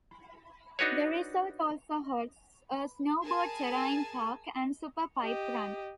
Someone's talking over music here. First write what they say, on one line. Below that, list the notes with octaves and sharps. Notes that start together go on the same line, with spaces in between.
The resort also hosts a snowboard Terrain Park and Super Pipe run.
D4 D#4 F#4 B4 C#5
G#4 A#4 G#5 A5
G4 D#5